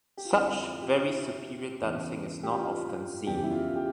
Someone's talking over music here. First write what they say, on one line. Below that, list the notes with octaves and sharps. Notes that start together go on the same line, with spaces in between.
Such very superior dancing is not often seen.
G4
F4
F2 D3 F3 E4
F4
G4
E4
E2 C#3 E3
G4
F4
E2 C#3 E3 G4
E4
F4
G4